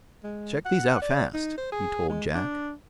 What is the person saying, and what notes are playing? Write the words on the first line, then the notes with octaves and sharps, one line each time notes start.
"Check these out fast," he told Jack.
G#3
F#5
D5
D#4
C5
G#4
G#3
D4